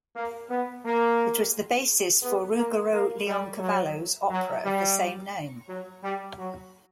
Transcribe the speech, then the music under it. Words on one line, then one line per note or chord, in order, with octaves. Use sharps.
It was the basis for Ruggero Leoncavallo's opera of the same name.
A#3
B3
A#3
B3
A#3
A#3
G3
F#3
F#3
G3
F#3
G3
F#3